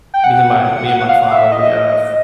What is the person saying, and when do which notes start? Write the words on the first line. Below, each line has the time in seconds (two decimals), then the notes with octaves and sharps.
me and my me and my father, we have
0.14 G5
0.24 F#5
0.88 F#5
1.00 F#5
1.09 F5
1.31 E5
1.52 D#5